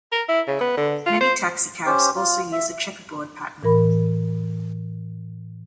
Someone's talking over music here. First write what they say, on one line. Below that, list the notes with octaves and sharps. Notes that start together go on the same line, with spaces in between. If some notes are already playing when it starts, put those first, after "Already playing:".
Many taxicabs also use a checkerboard pattern.
A#4
E4
C#3
B3
D3
F4
C5
C#4 G4 C5
F4
E5
A2 E3 A#4 B5